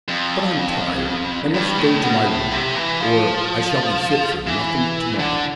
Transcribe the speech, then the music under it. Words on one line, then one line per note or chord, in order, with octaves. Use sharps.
"But I'm tired, and must go to my room, or I shall be fit for nothing to-morrow."
F2
G2
A2
B2
A2
C3
E3
F3
E3
D3